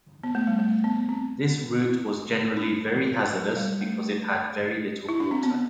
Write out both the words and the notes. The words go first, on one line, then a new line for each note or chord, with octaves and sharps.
This route was generally very hazardous because it had very little water.
B3
A3
G3
A3
B3
C4
E4
D4
E3
F#3
G3
A3
E4
D4
C4
B3